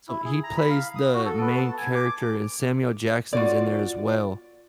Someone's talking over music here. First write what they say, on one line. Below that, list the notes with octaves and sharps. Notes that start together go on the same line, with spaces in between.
So he plays the main character and Samuel Jackson's in there as well.
E4
G#4
A#5
B5
F5
D#6
F#4
A4
B3
A5
G#5
D6
F4 F#4 D5